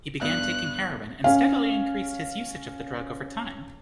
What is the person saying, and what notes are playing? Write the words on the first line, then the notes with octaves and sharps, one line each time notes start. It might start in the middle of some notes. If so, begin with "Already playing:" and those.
He began taking heroin and steadily increased his usage of the drug over time.
G2 B3 F#6
C#4 F5